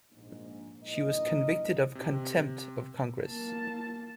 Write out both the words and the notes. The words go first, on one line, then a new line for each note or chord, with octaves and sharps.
She was convicted of contempt of Congress.
A#1 G#2
A#1 G2 D#4 E4 A#4 D#5
C3
A#3 A5